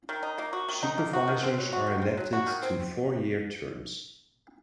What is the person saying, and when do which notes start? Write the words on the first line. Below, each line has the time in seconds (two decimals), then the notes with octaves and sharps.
Supervisors are elected to four-year terms.
0.09 D#3
0.23 D#4
0.38 A#3
0.53 F#4
0.69 D#3
0.83 D#4
0.98 A#3
1.13 F#4
1.28 D#3
1.43 C4
1.58 F#3
1.73 F#4
1.87 D#3
2.02 C4
2.17 F#3
2.33 F#4
2.47 D#3
2.62 C4